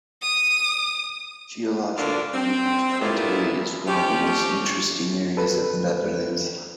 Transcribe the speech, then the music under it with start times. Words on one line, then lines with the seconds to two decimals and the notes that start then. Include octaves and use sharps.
Geologically, Twente is one of the most interesting areas of the Netherlands.
0.22 D#6
1.97 D2 A#2 B3 D4 F5
2.34 C4
3.00 D#2 A#2 B3 E4 A4
3.88 F3 C#4 G4
5.37 A4 B4